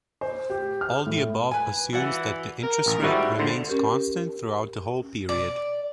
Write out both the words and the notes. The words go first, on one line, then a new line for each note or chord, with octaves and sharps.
All the above assumes that the interest rate remains constant throughout the whole period.
C5
G4
F6
A2
B4 G#5
E3 F#4 D5 F#5
A#4
A1
G#2 G3 E4 F#4
F2 D3 C5
C#4 G4 A#4
D5